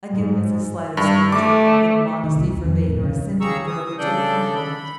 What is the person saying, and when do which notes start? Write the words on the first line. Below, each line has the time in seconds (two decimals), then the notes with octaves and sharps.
Again Mrs Sliderskew chuckled, but modesty forbade her assenting verbally to the compliment.
0.13 G#2
0.97 G2
1.32 A3 D6
2.24 D#3
2.36 C2
2.47 D#2
2.65 F2
2.86 D1
3.03 C#3
3.41 C#3 G3 G#4 A#5 C#6 E6
3.67 D#6
3.98 C#3 D4 A4 D5 G6
4.55 B5